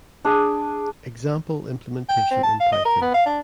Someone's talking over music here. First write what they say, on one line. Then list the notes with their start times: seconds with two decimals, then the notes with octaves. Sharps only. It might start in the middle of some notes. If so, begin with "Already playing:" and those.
Example implementation in Python.
0.25 D4 G#4
2.09 G5
2.31 C4
2.43 A5
2.60 F5
2.73 D#5
2.85 A#4
3.02 B3
3.14 F5
3.26 D4